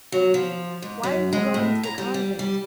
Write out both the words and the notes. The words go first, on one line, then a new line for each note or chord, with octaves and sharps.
"Why are you going to the convent?"
F#3
F3
G#2
F#2
G#3
A2
A#5
G3
G3
G3